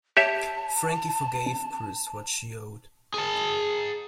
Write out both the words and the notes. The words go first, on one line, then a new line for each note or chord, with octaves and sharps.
Frankie forgave Chris what she owed.
G4 C#5 E5 A5
G#4 A5